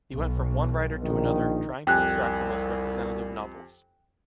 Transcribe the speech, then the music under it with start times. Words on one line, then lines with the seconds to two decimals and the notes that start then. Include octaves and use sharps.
He went from one writer to another, trying to extract the most representative novels.
0.13 B1
1.03 A#1 D#3
1.87 C2 F2 G4 G5 G#5 F#6